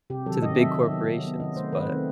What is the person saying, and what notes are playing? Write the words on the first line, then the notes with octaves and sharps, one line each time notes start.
to the big corporations, but
C3 G4
D#3 F#3 A4
C3 D#5
D#3 F#3 E5
D#3
F#3 B3
D#3
F#3 B3
D#3 D#5
A3 C4 C5
D#3 B4
A3 C4